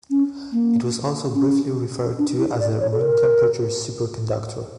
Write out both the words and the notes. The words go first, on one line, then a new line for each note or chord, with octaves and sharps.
It was also briefly referred to as a room-temperature superconductor.
C#4
A#3
C#4
D4
E4
D5
C#5
A4
A#4